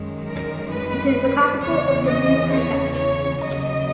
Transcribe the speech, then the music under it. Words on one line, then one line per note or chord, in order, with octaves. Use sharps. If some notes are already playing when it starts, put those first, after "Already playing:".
It is the capital of Yomou Prefecture.
Already playing: F#2 D#3 G#3
A#4
B4
E2 C#3 E3 C#5
D#5
C#5
C#5
D#2 C#3 F#3 D#5